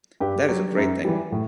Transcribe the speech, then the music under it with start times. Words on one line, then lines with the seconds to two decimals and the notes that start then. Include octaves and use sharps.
That is a great thing.
0.20 G2 G4
0.49 F#3
0.77 F#2
1.05 E3 G3
1.32 A2